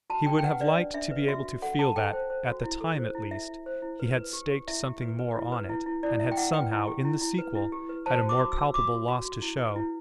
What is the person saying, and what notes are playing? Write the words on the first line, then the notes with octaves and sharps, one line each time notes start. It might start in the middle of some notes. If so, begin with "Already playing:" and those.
He would have liked to be able to feel that, at the time at least, he had staked something more on it, and had somehow, in the sequel, had a more palpable loss to show.
F#4 A5
D4 G5
G5
B4 F#5
B4 D5
D4
D4 E5
B4
F#4 E5
F#4
A4 F#5
A4 A5
A4 G5
C5
C5
F#4
E4
A4
C5
E4
E4 E5
E4
C5
E4
B4
B4
G4
G4
E4 E5
G4
B4
B4
E4
B4
E4
E4
E4 D5
E4 E5
G5
E4 F#5
B4 G5
E4
G4
E4
E4
B4
E4
G4
B4
C5 A5
F#4
D6
F#4
E6
F#4
F#4 D6
F#4
F#4
F#4
E4
B4
E4